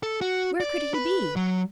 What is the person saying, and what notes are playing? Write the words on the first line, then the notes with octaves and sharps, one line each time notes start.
Where could he be?
A4
F#4
D5
B4
F#3